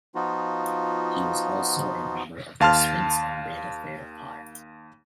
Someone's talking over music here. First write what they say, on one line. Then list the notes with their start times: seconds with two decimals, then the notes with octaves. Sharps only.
He was also a member of the Sphinx and Beta Theta Pi.
0.15 F3 B3 D#4 F4 F#4
2.60 D#2 F5 A5 C6 F6